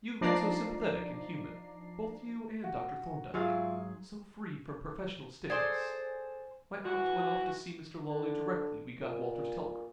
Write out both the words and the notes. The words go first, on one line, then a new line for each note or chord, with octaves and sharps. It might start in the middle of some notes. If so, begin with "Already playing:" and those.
"You have been so sympathetic and human--both you and Dr. Thorndyke--so free from professional stiffness. My aunt went off to see Mr. Lawley directly we got Walter's telegram."
F3 D4 D#4 D5 A#5 C7
F#4
G#2 F#3 E4 F4 G#4 F5 C6
G#4 A4 C5 D5 G#5
E3 F#4
D3
A#2